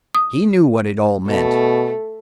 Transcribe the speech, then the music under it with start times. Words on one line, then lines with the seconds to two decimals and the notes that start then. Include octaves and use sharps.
He knew what it all meant.
0.15 D#6
1.27 B2 A3